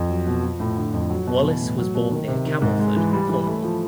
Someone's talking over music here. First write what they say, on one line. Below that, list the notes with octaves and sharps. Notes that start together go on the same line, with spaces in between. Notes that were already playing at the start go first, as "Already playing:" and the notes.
Wallis was born near Camelford, Cornwall.
Already playing: F2
F#3
B2
F3
A2
D3
F2
F#3
B2
E3
A2
F#3
B2
D#3
C3
D#3
G#2
G#3
E3
G3
E3
A3
F3